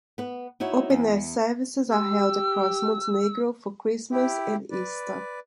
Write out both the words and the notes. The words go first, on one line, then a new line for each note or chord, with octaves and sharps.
Open-air services are held across Montenegro for Christmas and Easter.
B3 B4
D#4 E4 F#4 C#5
E2
G4 E6
E4 G4
B4 D5